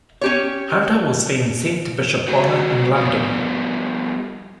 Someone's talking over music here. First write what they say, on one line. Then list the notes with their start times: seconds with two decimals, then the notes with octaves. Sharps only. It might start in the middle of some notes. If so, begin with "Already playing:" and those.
Hunter was then sent to Bishop Bonner in London.
0.21 C#4 G4 C#5
2.28 F#3 G#3 F#4
2.96 F3 G3 B3